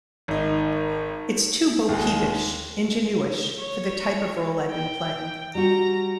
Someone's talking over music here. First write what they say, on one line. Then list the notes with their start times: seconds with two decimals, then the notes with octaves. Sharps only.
It's too bo-peepish, ingenueish, for the type of role I've been playing.
0.28 G#1 D#4
1.89 D#2 G#3
3.60 C#5
4.70 G5
5.55 G3 F#4 A#5